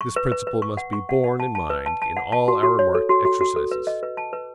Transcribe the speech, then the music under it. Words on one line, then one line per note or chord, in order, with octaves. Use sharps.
This principle must be borne in mind in all our marked exercises.
C#6
B4
B4
B4
C#6
F#5
C#6
F#5
F#5
A5
A5
B4
A5
A5
F#5
A5
F#4
F#4
C#5
A4
F#4
F#4
F#4
A4
B4
D#5
B4
A5
B4